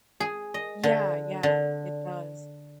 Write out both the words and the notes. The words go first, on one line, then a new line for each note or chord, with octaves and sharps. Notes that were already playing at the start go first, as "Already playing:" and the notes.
Yeah, yeah, it does.
G#4
D#5
D3
D3